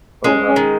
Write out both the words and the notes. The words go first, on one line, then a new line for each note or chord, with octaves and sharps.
Oh, wow.
G#3 C#4
C#4
D#3